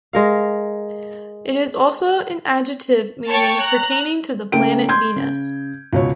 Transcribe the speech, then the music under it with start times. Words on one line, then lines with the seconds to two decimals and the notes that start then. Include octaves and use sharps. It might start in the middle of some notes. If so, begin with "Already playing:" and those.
It is also an adjective meaning "pertaining to the planet Venus".
0.13 G#3 A#4 F5
3.27 C#5 G5 A5 C#6 A6
3.58 A#5 F#6
4.52 C#3 A3 A#3 G5 D7
4.89 C6 G6 G#6
5.16 C#3
5.93 C#2 B2 C#5